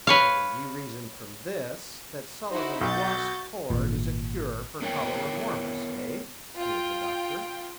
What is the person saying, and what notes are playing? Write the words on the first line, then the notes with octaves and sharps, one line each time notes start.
"And you reason from this that Sullivan's 'Lost Chord' is a cure for cholera morbus, eh?" sneered the Doctor.
B4 C#5 F5
D#4 E4 F#4 C5
B1 F#4 G6 A6
G#1 A#2
B3 D4 A#4 B4 C#5 G5
F4 G5